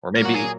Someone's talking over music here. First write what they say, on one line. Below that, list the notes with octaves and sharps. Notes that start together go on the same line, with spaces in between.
Or maybe
A#2 F#3 A#3 A#4
F#4
G#4